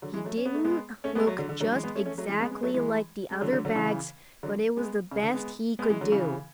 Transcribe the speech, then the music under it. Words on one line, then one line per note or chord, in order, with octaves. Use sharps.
He didn't look just exactly like the other bags but it was the best he could do.
D3 F#3
E3 G#3
F#3 A3
C#4
B3
A3
G#3 B3
A3 C#4
G#3 B3
F#3 A3
D3 F#3
D3
D3 F#3
E3 G#3
G#3 B3
A3 C#4
A3 C#4
F#3 A3
E3 G#3
G#3 B3
G#3 B3
F#3 A3
E3 G#3
G#3
D3 F#3
D3 F#3
D3 F#3
C#3 E3
D3 F#3
G#3 B3
C#3
D3
G#3 B3
G#3 B3
E3 G#3
D3 F#3
C#3 E3